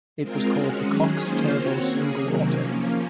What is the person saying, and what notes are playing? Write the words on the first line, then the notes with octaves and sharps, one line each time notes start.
It was called the Cox Turbo Single Otter.
G#3 C4 F4 A#4
G#3 C#4 F#4
D#3 F#3 C#4 G#4
D#3 A#3 C#4 F4 C5
C4 F#4 C#5
A#3 C#4 G#4
C3 D#3 F#3 A#3
F3 A#3 C#4